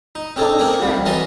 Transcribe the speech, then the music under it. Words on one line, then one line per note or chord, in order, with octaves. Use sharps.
Father's tread!'
D#4
C4 C#4 G#4 A4
A#3 C4 G#4
C2 G3
E3 F#3 C#4 D#5 A5 C6